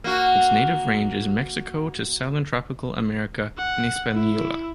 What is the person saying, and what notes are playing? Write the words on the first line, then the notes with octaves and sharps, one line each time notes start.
Its native range is Mexico to southern Tropical America and Hispaniola.
A#3 F#4
F#5
E4